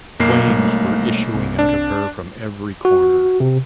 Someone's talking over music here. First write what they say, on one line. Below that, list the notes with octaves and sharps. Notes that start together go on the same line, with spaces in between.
Flames were issuing out of her from every corner.
B1 F#2 A#3 C7
B2 G3 A3
C2 C3
D4
F#4
C3